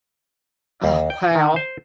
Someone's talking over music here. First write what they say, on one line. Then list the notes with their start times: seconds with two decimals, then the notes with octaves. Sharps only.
Oh, wow.
0.84 D#2
1.10 G5
1.35 D#3
1.56 C5